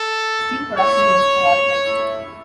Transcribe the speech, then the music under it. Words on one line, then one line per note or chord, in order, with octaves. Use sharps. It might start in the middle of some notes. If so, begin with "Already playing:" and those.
Steel production was prioritized.
Already playing: A4
A3 E4 C#5
A3 E4